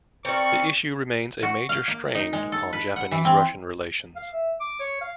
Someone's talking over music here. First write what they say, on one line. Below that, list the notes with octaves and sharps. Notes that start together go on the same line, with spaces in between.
The issue remains a major strain on Japanese-Russian relations.
C4 A#4 D5 C#6
F#4
F5
A#3
D#4
G#3
A4
B4
F#5
E3
C4
F5
E5
D6
C#5
F5